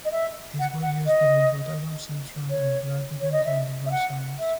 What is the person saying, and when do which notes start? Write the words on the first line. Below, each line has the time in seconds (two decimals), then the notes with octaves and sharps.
These were used between Rotterdam Centraal and Vlaardingen during the rush hours.
0.05 D#5
0.11 E5
0.59 F#5
0.82 F#5
1.06 D#5
2.49 C#5
3.20 C#5
3.32 D#5
3.45 E5
3.86 E5
3.91 F#5
4.39 E5